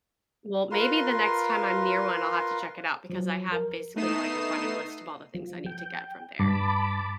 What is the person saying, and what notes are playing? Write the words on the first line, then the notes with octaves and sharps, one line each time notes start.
Well, maybe the next time I'm near one, I'll have to check it out, because I have, basically, like, a running list of all the things I need to get from there.
F4 A#4 B4 C6
F3 F#3
A#4
A3 B3 D#4 D#6 C7 E7
F3
G5
G2 A5 B5 D6